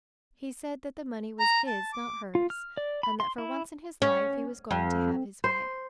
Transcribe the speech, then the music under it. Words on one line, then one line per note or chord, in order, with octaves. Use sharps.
He said that the money was his, not hers, and that, for once in his life, he was going to have his way.
A#5
A5
D6
F4
F6
D5
B5
C6
E4
C#4
F2
C5